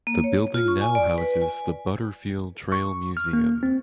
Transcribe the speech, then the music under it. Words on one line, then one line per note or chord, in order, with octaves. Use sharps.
The building now houses the Butterfield Trail Museum.
A#3
C#5
F4
C#6
G#5
D5
B4
G#5
C#6
F6
A#3
C4